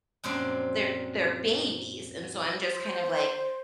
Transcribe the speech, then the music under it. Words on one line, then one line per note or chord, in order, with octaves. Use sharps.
they're they're babies, and so I'm just kind of like,
F#2 A#2 F3 C4 D4
C5